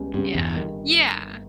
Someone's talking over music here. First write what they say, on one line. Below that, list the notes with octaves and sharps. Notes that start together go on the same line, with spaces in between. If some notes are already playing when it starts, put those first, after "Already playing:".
Yeah, yeah.
Already playing: C#2 C#3 G3 B3 G4
G2 C#3 G3 B3 G4
G1 E2
G2 D#3